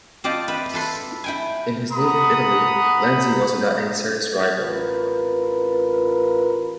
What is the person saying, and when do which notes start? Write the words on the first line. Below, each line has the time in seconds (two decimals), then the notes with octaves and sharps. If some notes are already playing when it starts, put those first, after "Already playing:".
In his native Italy Lanzi was without any serious rival.
0.24 C4 F4 G4 D5 D#5 A5
0.48 B4 E5
0.74 A4 B4 C6
1.24 E4 G5 G#5
1.93 F#5 A#5 B5 D#6
4.61 A1 F4 A#4 B4